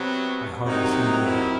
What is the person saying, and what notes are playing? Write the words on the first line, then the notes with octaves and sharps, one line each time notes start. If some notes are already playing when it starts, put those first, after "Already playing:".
I hardly see my way.
Already playing: C3 F#3 B3
C3 D#3 F#3 D#4
E4